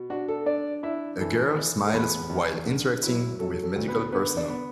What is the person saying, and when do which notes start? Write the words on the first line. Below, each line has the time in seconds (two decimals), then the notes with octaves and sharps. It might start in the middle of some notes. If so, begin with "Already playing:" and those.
A girl smiles while interacting with medical personnel.
Already playing: B2
0.10 D4 F#4
0.28 A4
0.46 D4 D5
0.83 D4 E4 E5
1.20 E3 A4
1.57 E4
1.87 A4
1.93 E2 B3 B4
2.29 E2
2.66 D3
3.03 F#3 E4 E5
3.39 F#3 A4
3.63 A4
3.76 D2
3.88 B3 B4
4.12 D3 B3 B4
4.37 D4 D5
4.49 B3